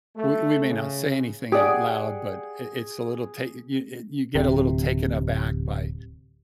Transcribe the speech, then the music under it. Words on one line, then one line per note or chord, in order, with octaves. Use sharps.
we we may not say anything out loud, but, i it's a little ta you e you get a little taken aback by
A3
C#3
G4 G#4 D5 F#5 G#5
D1 C3